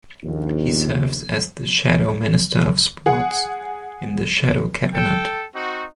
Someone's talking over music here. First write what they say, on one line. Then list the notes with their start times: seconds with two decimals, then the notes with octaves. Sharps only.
He serves as the Shadow Minister of Sports in the Shadow Cabinet.
0.23 A#1 D#2
3.06 G#4 F#5
4.93 A4 G5
5.54 C4 D#4 F#4